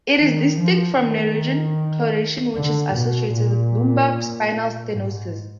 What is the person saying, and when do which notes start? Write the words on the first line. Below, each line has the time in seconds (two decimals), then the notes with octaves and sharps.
It is distinct from neurogenic claudication, which is associated with lumbar spinal stenosis.
0.19 D#3
0.58 F3
0.98 D#3
2.55 D3
2.94 B2
3.33 A#2
4.90 G#2